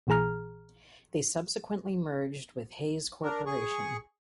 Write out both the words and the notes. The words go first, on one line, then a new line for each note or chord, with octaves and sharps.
They subsequently merged with Hayes Corporation.
A#1 A#2 E3 G#4 A#5 F6
D4 A#4
G#4 C#6